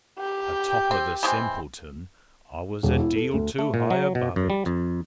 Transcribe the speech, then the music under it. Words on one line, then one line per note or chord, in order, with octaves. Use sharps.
Atop of the Simpleton, I was a deal too high above it.
G4 G5
C4
E3 G#3 C4
E1
E4
A4
D2
A3
A#2
F#3
B2
F#2
G3
F2